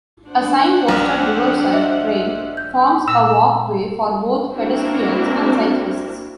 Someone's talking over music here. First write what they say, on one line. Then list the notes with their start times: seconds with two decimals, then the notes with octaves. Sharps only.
A sign posted riverside trail forms a walkway for both pedestrians and cyclists.
0.27 D4 C5 F#5
0.89 A#1
1.73 D#5 E5
2.57 G6
3.08 A#2 E6
4.53 A#3 C4 D4 E4 F#4 A#4